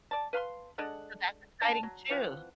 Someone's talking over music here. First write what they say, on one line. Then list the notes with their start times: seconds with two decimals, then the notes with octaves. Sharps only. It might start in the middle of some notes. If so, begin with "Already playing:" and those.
So, that's exciting too.
0.11 D5 A5
0.33 B4 F5 B5 C6
0.78 G#3 D4 A4 F#5
1.61 D4 A5
1.83 F#3
2.10 E3 F3 C4 F#5